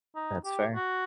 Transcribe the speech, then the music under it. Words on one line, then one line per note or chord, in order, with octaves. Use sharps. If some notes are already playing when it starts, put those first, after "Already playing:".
That's fair.
D#4
G4
F#4